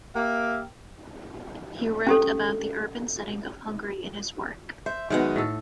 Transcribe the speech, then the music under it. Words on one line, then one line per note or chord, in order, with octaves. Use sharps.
He wrote about the urban setting of Hungary in his work.
A#3 G4 E5 F5
C#4 G4 A4
C5 E5
D#3 F#3 G#3 B3 F#5
A2 A4